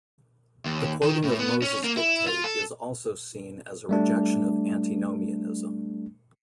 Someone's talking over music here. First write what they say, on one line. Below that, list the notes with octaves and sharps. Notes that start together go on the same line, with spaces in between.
The quoting of Moses' dictate is also seen as a rejection of Antinomianism.
D#2
D#3
A2
B3
C#4
A#3
E4
F4
A4
G3 A3 D4